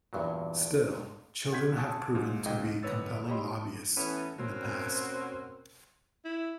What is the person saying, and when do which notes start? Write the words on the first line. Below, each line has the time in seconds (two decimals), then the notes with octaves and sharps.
Still, children have proven to be compelling lobbyists in the past.
0.13 E2 G2 A#2 F#3
1.52 F#5 G6 G#6 B6
1.77 F#5 G#5 A5 C#6 D#6 E6
2.14 G#2 F3
2.45 C#2 G#2 D#5 G5
2.83 G1 B4 C#5 E6 A6
3.29 G4 C#5 D#5 B5 C6
3.97 E3 A3 B3 C#4
4.38 B2 A#3 C4 C#4 F#4
6.25 E4